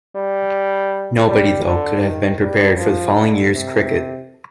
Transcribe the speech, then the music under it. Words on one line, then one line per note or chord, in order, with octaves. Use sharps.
Nobody, though, could have been prepared for the following year's cricket.
G3
G3
D3
D#3
G3
F3
D3
C3